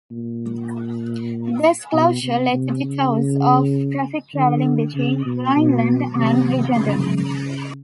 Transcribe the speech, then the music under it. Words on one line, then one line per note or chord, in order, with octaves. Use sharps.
This closure led to detours for traffic traveling between Vineland and Bridgeton.
A#2
B2
C3
C3
C#3
D3
C#3
B2
B2
C3
C#3